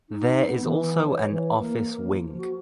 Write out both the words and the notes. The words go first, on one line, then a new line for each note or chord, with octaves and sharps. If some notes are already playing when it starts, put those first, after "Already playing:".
There is also an office wing.
D#4
B3
E3
C#5
E3
A#3
F3
F#4